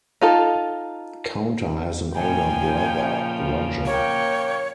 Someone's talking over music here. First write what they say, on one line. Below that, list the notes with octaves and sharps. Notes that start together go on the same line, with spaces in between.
Caunter has an older brother, Roger.
D#4 F4 A4
A#2 C#3 F3 G5 G#5
A#3 C#5 G5